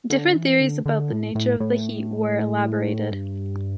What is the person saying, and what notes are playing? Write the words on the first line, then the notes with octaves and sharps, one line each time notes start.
Different theories about the nature of the heat were elaborated.
D3
E3
D3
D3
A2
A2
A2
G2